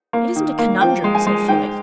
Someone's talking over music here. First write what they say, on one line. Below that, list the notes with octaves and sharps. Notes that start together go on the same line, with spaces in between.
"It isn't a conundrum," said Felix.
A#3
D#3
A#3
F3 G5
G#3
G#5
G#3
G#2 G5